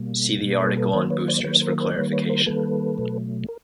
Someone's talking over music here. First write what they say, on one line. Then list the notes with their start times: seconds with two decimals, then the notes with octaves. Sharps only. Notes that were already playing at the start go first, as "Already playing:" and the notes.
See the article on Boosters for clarification.
Already playing: B2 G3 A#3
0.42 B2 G3 A#3
0.60 A4 B4
0.77 A4 B4
0.93 D#3 F#3 A#3 A#4 C5
1.10 B4 C#5
1.28 C5 D5
1.44 D#3 F#3 A#3 B4 C#5
1.61 A#4 C5
1.78 A#4 C5
1.90 D5
1.95 D#3 G3 A#3 B4 C#5
2.12 B4 C#5
2.29 A#4 C5
2.46 D#3 G3 A#3 A4 B4
2.98 B2 F#3 A3
3.48 A#4